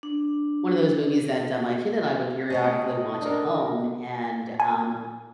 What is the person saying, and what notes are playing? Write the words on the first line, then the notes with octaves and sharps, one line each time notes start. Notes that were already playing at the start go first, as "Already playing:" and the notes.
one of those movies that, uh, my kid and I would periodically watch at home, and, um,
D4
C3 A3 C#4 D#5
D4 A#4
G#5